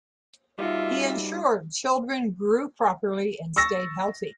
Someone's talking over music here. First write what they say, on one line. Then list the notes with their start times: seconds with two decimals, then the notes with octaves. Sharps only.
He ensured children grew properly and stayed healthy.
0.59 G3 D#4 F4 F#4 E5
3.56 C#6 E6 A6 A#6